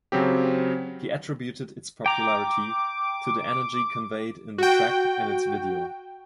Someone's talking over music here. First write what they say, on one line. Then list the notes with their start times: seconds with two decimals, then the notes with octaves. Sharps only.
He attributed its popularity to the energy conveyed in the track and its video.
0.12 C#3 F#3 C4 G4
2.06 G5 A#5 D6
4.58 F#4 G5